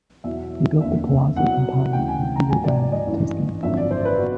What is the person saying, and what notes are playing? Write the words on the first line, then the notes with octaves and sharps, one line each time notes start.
He built the Palazzo Campana in Villa Gaia, Tuscany.
E2 B2 F#3 E5
F1 D#2 D3 E5
C2 B2 F#3 F#5
D2 C#3 E3 G5
G#5
A#5
A#1 G#2 D#3 F#3 G#5
D5
D5
D#5
A1 G2 E3
G#1 F#2 D3 F3 E5
D5
C5
B4
B2 F#3 F#4